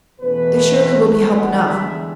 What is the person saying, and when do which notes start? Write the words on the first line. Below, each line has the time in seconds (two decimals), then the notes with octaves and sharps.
"They surely will be help enough."
0.20 E2 B2 A3 C#4 B4
1.08 B4
1.37 E2 D3 G#3 F#5
1.67 E5